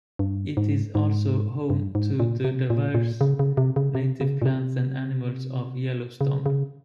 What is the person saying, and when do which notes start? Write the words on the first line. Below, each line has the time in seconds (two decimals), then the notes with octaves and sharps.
It is also home to the diverse native plants and animals of Yellowstone.
0.19 G2
0.57 G#2
0.95 G#2
1.70 G2
1.95 G#2
2.20 A#2
2.44 C3
2.70 A#2
2.95 A#2
3.21 C#3
3.39 C#3
3.57 C3
3.76 C#3
3.95 C3
4.21 C#3
4.42 A#2
4.46 C3
6.21 C#3
6.46 C#3